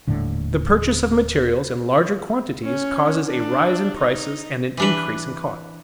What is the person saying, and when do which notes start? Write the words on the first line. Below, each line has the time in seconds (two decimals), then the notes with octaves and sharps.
The purchase of materials in larger quantities causes a rise in prices and an increase in costs.
0.07 D#1 A2 D3
2.64 C#4
3.28 D4
3.97 D#4
4.77 E3 D4 B4